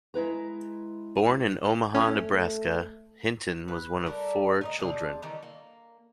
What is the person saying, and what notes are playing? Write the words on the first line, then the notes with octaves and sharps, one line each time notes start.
Born in Omaha, Nebraska, Hinton was one of four children.
G#3 E4 B4 A#5
A3 C#4
B4
G3 A3 A#4
A3 A#4 D#5
C3 D4 G#4 F5
D#3 E3 G3
A#3